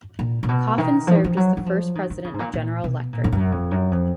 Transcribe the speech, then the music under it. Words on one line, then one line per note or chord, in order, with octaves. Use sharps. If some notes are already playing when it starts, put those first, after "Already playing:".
Coffin served as the first president of General Electric.
A#2
A#2
B2
D#3
F3
D#3
F3
F#3
F#3
F3
D#3
D#3
C#3
G#2
A#2
A#2
B2
A#2
F2
F#2
F2
F#2
F2